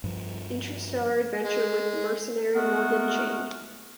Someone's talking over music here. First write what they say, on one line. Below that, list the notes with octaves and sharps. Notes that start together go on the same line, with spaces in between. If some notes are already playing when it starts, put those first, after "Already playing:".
Interstellar adventure with mercenary Morgan Chane.
G2 F3
G#3
G#3 A3 B3 F#4 A#4